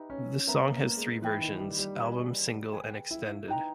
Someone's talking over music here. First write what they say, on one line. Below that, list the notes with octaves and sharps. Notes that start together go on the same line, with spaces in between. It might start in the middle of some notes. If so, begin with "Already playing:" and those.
The song has three versions: album, single and extended.
Already playing: D#4 G4 B4 E5
C#4
C#4
B3 A#4 E5 A#5
A#3
A#3
G#3
E3 B4 E5 G5 B5
D#3
G3
G3
G#4 B4 D#5
G#4 B4 G5
E4
D#4 B4 G5 A#5